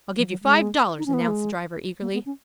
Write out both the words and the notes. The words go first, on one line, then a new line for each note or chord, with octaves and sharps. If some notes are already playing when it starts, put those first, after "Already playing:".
"I'll give you five dollars," announced the driver eagerly.
F3
F#3
G#3
D#4
C#4
B3
A#3
G#3
A#3
B3
C#4